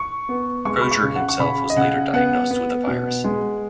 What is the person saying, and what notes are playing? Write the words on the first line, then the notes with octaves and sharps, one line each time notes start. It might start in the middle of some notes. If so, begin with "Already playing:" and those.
Crozier himself was later diagnosed with the virus.
Already playing: C#6
B3
G#3 C#6
B5
C#6
C#3
F#5
C#6
C#3 B5
D#5
C#3 F#5
B3 F#5
B3
B2
G#3